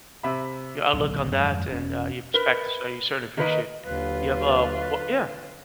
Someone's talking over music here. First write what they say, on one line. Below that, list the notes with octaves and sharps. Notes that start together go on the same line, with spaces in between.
your outlook on that and, uh, your perspectives, so, certainly appreciate it. You have a wo Yeah.
C3 E5 B5
D1 B1 C#3
F2 G#2 D#3 G#3
E1 C#4
A#4 B4
D#3 A#3 A#4 B4 D5 D#5
D#2 D3 F#3 F4 B4